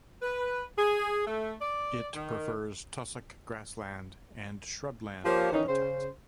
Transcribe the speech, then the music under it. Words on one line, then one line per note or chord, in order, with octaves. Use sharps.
It prefers tussock grassland and shrubland habitat.
B4
G#4
A3
D5
D#3
F3 A#3 G4 C5 C#5
D#3 E3 C#4 D#4
C#3 C5